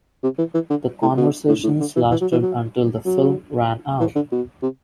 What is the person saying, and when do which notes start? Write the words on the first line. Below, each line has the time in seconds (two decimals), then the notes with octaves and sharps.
The conversations lasted until the film ran out.
0.23 C3
0.38 E3
0.54 E3
0.70 D3
1.02 A2
1.17 B2
1.49 A2
1.64 A2
1.80 D3
1.96 E3
2.11 E3
2.21 F#3
2.32 E3
2.42 F#3
3.05 F#3
4.00 E3
4.16 D3
4.32 B2
4.63 C3